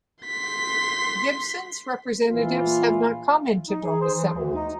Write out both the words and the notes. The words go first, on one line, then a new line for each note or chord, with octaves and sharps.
Gibson's representatives have not commented on the settlement.
C6 B6
A#1 E3 F4
D#4
G#4
C5
E3
D2
D#4